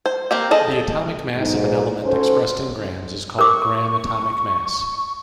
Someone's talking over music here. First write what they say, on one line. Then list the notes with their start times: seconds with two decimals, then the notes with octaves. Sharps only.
The atomic mass of an element expressed in grams is called gram atomic mass.
0.06 C5
0.31 A#3 C4 G4
0.51 G#4 A4 D#5
1.37 B1 G#2
2.04 C#4 F#4 A4 C5
3.39 A#4 C#6 D6